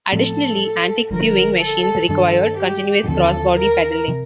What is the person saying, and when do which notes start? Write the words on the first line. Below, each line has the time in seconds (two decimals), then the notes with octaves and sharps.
Additionally, antique sewing machines required continuous cross body pedaling.
0.11 A2 F3 C4 A4
1.11 G1 G2 D3 F3 A#4
1.60 A4
2.09 G2 D#3 G3 D4 A4
2.59 G4
3.08 D#2 D3 F3 C4 A4
3.57 A#4
4.08 C3 F3